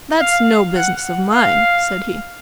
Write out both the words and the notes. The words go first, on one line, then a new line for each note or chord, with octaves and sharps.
"That's no business of mine," said he.
F5
F#5
F5